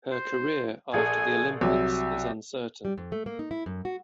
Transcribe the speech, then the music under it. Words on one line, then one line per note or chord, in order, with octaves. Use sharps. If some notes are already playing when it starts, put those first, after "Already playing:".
Her career after the Olympics is uncertain.
C5
A#1 G#4 A4 G#5
C2 F#3 E5
G3
F2
A3
A#3
D#4
E4
F#2
F#4